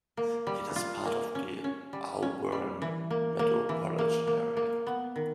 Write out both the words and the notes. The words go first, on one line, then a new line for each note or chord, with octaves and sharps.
It is part of the Auburn Metropolitan Area.
A#3
G3
F4
A#3
C#4
C#4
G3
C#4
G3
E3
A#3
A#3
E3
A#3
A#3
A#3
B3
D#3